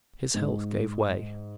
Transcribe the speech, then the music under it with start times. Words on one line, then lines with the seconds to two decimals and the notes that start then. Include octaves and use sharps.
His health gave way.
0.34 G#2